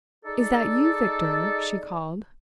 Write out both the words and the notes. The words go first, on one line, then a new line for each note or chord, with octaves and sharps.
"Is that you, Victor?" she called.
D#4 G#4 A4 D5